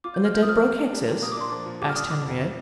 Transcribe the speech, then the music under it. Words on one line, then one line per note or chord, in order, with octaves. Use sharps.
"And the Dedbroke-Hickses?" asked Henriette.
F4 D6
G6
C5
F6
A#3 G6
D#6
F3 F6
A#3
D4
G3
A#2
A#3 D#6
D6
D4 C6
F3 D6
A#2
G3 D6
F6
D4 D#6
D3 D6
F2
C4